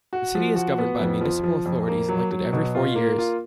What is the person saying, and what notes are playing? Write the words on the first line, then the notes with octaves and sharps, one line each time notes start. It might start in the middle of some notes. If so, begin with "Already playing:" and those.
The city is governed by municipal authorities elected every four years.
F#4
F3
F#4
B3
F2
F3
F3
F2
A#3
F#3
F#3
B2
F4
A#3
F4